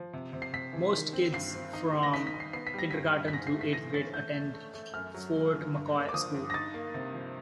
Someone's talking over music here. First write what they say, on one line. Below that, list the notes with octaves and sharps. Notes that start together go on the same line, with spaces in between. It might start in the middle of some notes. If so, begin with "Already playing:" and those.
Most kids from kindergarten through eighth grade attend Fort McCoy School.
Already playing: F3
C3
C3
C7
C3 B6
E3
D#3
C4
G2 C7
C4
D#4
D#3
A#6
D#4 B6
B6
D#4
C7
B3 C7
B6
G3 A#6
G2 B6
G2
B6
G#2 A#6
C7
A3
B6
E3 A#6
C#4 A6
A3 G6
A3
A3
A3
F#2 F6
F#3
A#3
D3
G2
A#3
D6
F3 D#6
G2
A#6
D#4 A6
A#3
C3
F3